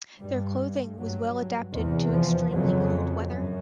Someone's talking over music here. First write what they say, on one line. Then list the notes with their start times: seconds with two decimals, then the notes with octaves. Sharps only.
Their clothing was well adapted to extremely cold weather.
0.21 G2 G3
0.98 G2 F#3
1.75 E2 C3
2.13 F3
2.52 F2 C#3 F#3
3.28 F#2